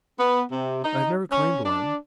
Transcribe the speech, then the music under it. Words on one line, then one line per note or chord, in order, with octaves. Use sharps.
I have never claimed one.
B3
C3
D#4
C#4
D4